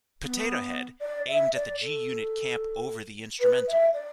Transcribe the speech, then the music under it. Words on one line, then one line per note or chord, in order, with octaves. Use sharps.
Potato Head, aimed at the G-Unit camp over the instrumental.
B3
D5
E5
D5
A4
B4
E5
D5